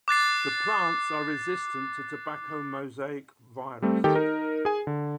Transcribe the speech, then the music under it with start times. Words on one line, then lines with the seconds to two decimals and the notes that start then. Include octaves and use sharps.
The plants are resistant to tobacco mosaic virus.
0.08 D6 F#6 A6 C7
3.82 G3 A3 C4
4.04 D#3 G4 A4 G5
4.15 D#4 A#4
4.65 G#4 G#5
4.87 D3